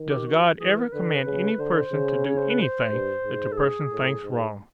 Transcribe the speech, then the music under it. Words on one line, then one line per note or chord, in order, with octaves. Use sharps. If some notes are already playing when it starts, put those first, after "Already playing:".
Does God ever command any person to do anything that the person thinks wrong?
Already playing: D#3
G4
F#4
E3 G#4
A#4
D3 B4
C#3
D3 C5
C#3
C#5
C5
B4
C5
G2
G#2
A4
G#4
A2
G#2